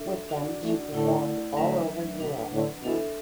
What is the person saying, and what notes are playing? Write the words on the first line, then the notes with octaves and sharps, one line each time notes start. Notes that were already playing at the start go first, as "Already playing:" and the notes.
With them she performed all over Europe.
Already playing: D4 A4 E5
D4 F#4 D5 F#5
E3 A3
A2 D3 A3 E4 D5 F#5
A2 D3 F#3 D4 B4 E5
B2 D4 B4 F#5
A2 D3
B2 E3 D4 A4 E5